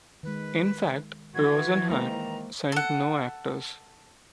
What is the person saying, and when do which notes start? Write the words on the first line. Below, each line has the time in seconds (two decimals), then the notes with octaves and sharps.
In fact, Rosenhan sent no actors.
0.23 D#3 G#3 B4
1.35 E3 F#4 G#6
1.90 D#3 G#3 A#3 C5 A#5
2.72 A4 F#5